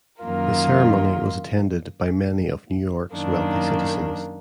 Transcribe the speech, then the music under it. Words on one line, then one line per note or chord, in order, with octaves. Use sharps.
The ceremony was attended by many of New York's wealthy citizens.
F#2 D#3 A#3 F4 A#4
F#2 D#3 A#3 D4